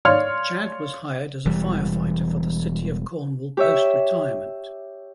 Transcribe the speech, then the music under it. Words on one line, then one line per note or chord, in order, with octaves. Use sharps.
Chad was hired as a firefighter for the City of Cornwall post retirement.
C#5 D5 F5 C6 F6
E1 E3 G3
G4 C#5 E5